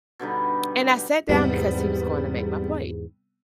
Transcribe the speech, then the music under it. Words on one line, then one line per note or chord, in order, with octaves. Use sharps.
and I sat down because he was going to make my plate,
B2 D3 G3 D#4
E2 G#2 C3 G3 B3